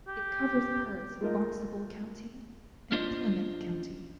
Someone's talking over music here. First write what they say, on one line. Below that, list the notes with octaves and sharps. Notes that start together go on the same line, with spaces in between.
It covers parts of Barnstable County and Plymouth County.
G4
G#3 A3 F4 A#4 D#5
C#4 D4 F4 C5 D#5